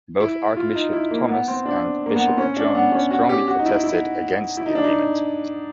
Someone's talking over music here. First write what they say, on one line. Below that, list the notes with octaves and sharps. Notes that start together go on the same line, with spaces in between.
Both Archbishop Thomas and Bishop John strongly protested against the agreement.
E4
F4
D#4
E4
A#3
B3
C4
D4
A#3
B3
C4
C#4
D4
B3
C#4
F#4
G4
F#4
D#4
E4
E4
E4
D#4
D4
D#4